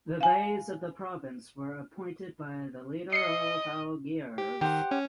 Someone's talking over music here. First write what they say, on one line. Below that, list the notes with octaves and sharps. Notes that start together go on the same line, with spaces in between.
The Beys of the province were appointed by the leader of Algiers.
F5 G#5
D#5 C7 C#7
G4
D#3 G4 C5 F#5
C#4